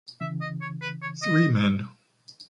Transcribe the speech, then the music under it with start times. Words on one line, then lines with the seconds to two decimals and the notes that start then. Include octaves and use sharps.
Three men.
0.21 C#3 E3 E5
0.41 D#5
0.61 C#5
0.82 B4
1.02 C#5
1.22 D#5